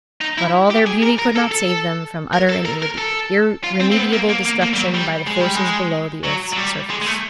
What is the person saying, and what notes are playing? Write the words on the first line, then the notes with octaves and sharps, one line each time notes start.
But all their beauty could not save them from utter and irremediable destruction by the forces below the earth's surface.
D#4
E4
G4
G#4
A#4
A#4
A4
A4
A#4
A4
A#4
A#4
A4
F4
C4
C4
B3
A#3
A#3
A#3
A#3
G3
F#3
G3
G#3
G3
G#3
F#3
F#3
G3
G#3
G#3
A3